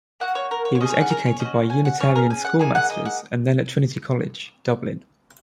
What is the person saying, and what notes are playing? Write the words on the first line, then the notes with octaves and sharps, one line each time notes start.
He was educated by Unitarian schoolmasters and then at Trinity College, Dublin.
A#3 F#4 F#5
C#5
A#4
C#5
C#5
C#4 G#4 C#5 D#5
F#5
A#4
C#5
C#4 D#5
F#4
G#5
F#5
C#4 G#4 C#5
A#4
G#5
F#5
A#3 D#4 G#4 G#5
F#5
D#5
F#5